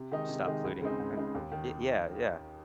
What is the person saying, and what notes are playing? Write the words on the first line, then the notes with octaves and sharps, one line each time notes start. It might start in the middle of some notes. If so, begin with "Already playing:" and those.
stop polluting the planet it Yeah, yeah.
Already playing: C3
D#3 G#3 D#4
C3
D#3 G#3 D#4
C#2
C#3 G#3 C4 D#4
C#2
C#3 G#3 C4 D#4
D#2
D#3